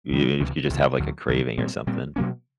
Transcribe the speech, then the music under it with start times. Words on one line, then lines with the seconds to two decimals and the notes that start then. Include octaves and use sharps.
you you could just have, like, a craving or something.
0.11 D#2 D#3 G3
0.40 C#2 C3 E3
0.70 C#2 C3 E3
1.00 D2 D3 F#3
1.28 D2 D3 F#3
1.58 A#2 G3 C4
1.87 A#2 G3 C4
2.16 B2 F#3 A#3 C#4